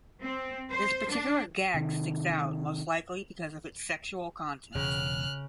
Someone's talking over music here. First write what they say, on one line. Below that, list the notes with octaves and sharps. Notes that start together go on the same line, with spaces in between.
This particular gag sticks out, most likely because of its sexual content.
C4
C5
D4
C3 D#3
E1 C#3 F6 F#6